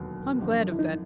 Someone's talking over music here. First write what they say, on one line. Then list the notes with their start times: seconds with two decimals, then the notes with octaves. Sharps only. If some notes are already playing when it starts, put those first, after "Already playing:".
'I'm glad of that.
Already playing: E1 D#2 D3 F#3 B3
0.38 G#1 F#2 D3 F3
0.72 E4
0.79 D#4